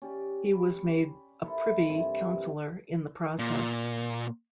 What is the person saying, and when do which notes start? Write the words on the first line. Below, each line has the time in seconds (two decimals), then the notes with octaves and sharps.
He was made a privy councillor in the process.
0.02 C#4 G4 D5
0.53 B5
1.44 E4 A4 A#4 C5
1.89 G2 C3 E3
3.39 A#2